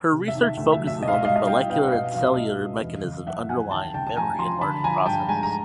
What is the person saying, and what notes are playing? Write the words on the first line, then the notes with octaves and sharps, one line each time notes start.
Her research focusses on the molecular and cellular mechanisms underlying memory and learning processes.
C3
E5
D#3
E5
D2
E5
F#3
E5
B2 D#5
F5
E5
G3 D#5 F5
D#5 F5
C2 F5 G5
B3 F5 G5
F#5
B2 D#5 F5
F#3 F5
E5
C#2 D#5 F5
C#2
E2
C#3
F#1 E5 F#5
F3 F#5 G#5
D#2 G5 A5
C#3 G5 A5
A5
F1 G#5 A#5
F3 A#5 C6
D3 A5 B5
F3 G#5 A#5
G2 G5 A5
G#3 G#5 A#5
A#5